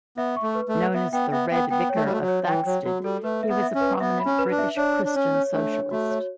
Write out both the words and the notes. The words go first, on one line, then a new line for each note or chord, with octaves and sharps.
Known as the 'Red Vicar' of Thaxted, he was a prominent British Christian socialist.
B3 E5
C#6
A3
B4
A3
B4
B3 E5
B3 G5
B3 E5
B3 G5
B3 G5
C#5
A3
G3
A3 F#4
F#3
C#5
E3 G5
F#3 C#5
F#3 F#4
G3 A4
A3 B4
E5
B3
E5
C#4
B4
B3 E5
B5
C#4
B4
D4
E5
D4 C#5
C#5
D4
C#4 C#5
C#5
A3 D4
C#5
A3 F#4
C#5